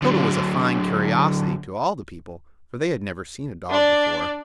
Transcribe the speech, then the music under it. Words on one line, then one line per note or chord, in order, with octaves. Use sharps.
Toto was a fine curiosity to all the people, for they had never seen a dog before.
D3 F#3
D4 D5